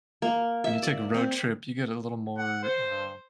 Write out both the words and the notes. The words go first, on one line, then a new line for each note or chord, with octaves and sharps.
when you take a road trip, you get a little more, uh
A#3
E5
D5
C4
F#5
C5